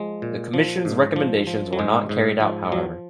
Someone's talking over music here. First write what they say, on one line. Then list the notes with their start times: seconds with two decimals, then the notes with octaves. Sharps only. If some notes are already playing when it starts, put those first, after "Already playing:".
The commission's recommendations were not carried out, however.
Already playing: F3 G#3
0.22 A#2
0.54 F3
0.85 G#2
1.16 F3
1.47 F3
1.73 F#3
1.79 G#2 G#3
2.09 G#2
2.40 F3
2.72 F3 F#3